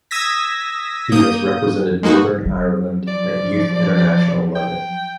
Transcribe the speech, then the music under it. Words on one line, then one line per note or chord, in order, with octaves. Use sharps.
He has represented Northern Ireland at youth international level.
D#6 E6 G#6 A#6 B6
A#3 D#6 G6
G#3 A#3 D#4 F#4
F#3
F3 D5
G5